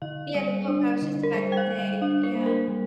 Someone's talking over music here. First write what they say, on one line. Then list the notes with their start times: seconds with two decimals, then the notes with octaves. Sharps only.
Yeah, the book, I was just about to say, yeah.
0.02 D3 F5
0.34 G3 D5
0.68 D4
1.02 D3
1.23 A#4
1.34 G3 C5
1.52 G5
1.57 F5
1.68 G3
1.79 F5
2.02 D4 F5
2.23 C5
2.35 A#3
2.46 A#4
2.68 G3